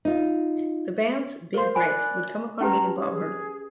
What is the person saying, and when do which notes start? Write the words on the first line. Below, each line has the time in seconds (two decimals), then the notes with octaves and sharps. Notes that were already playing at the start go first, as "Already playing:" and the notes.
The band's big break would come upon meeting Bob Herdman.
0.05 D#4 F4
1.54 A#4 C5 F5 C6
1.75 D5 G#5 B5 F#6
2.61 C#4 G4 B4 A5 A#5
2.96 C#5
3.12 G#4